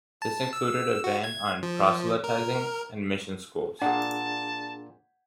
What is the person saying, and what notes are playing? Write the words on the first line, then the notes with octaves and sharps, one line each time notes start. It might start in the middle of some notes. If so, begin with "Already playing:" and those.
This included a ban on proselytising and mission schools.
A5
E6
F#4
G#6
F3
A#4
A#2 D4 G#4 F#5 G5 A5